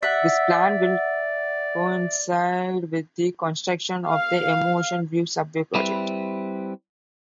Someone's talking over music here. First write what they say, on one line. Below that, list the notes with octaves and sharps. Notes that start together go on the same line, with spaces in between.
This plan will coincide with the construction of the M Ocean View subway project.
D5 E5 F#5
F5
G3 C4 E4 B4